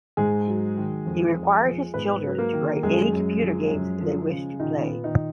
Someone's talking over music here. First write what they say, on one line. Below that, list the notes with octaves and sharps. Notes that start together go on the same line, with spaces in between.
He required his children to write any computer games they wished to play.
G#2 G#3 G#4
F#3
D#3
F2
F2
F3
G#2 B3 B4
F#3
A#3 A#4
D#3
F#2 G#3 G#4
F#2
F3
F#2
F3
C#3
A#2 D#3 D#4
C#4
B3
A#2
D#3 D#4